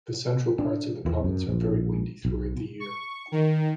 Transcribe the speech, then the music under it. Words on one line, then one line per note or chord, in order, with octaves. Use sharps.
The central parts of the province are very windy throughout the year.
D4
E2
F#2
A#1
B1
C#6
D#3